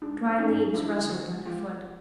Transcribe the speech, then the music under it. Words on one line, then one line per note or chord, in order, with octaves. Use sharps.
Dry leaves rustled under foot.
G#3 D4
F3
C#4 D#4
G#2
F3 D4 E4
D3
F#4 G#4
G#3
G#3 F4 G4
F3